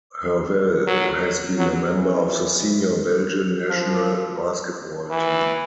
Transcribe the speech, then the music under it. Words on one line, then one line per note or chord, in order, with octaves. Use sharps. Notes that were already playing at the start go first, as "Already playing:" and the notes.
Hervelle has been a member of the senior Belgian national basketball team.
F#3
F#3
E3
F3
E3